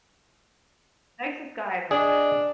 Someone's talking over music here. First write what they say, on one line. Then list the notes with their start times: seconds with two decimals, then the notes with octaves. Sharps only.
Nicest guy I've ever met.
1.91 D4 G#4 D#5